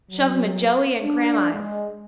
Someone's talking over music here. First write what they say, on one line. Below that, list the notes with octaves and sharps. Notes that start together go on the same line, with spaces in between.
Shove him a joey and grahamise.
F#3
D4
G#3